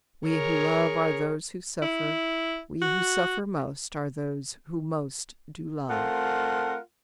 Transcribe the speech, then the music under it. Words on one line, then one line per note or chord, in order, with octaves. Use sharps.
"We who love are those who suffer; We who suffer most are those who most do love."
G#4 A#4 C#5
E4
F#4
A3 C4 F4 A#4 F#5